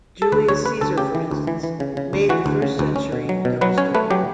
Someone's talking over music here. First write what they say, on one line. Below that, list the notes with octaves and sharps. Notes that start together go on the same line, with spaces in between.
Julius Caesar, for instance, made the first century double strength.
A4
D2 B4
D2 C#5
C#3 B4
D2 A4
C#3 G4
E3
D2
E3
E3
C#3
C#3
D2
E3 F#4
D2
C#3
D2
C#4
B2
F#3
B2
F#3 B4
C#4 C#5
A3 B4
F#3 G4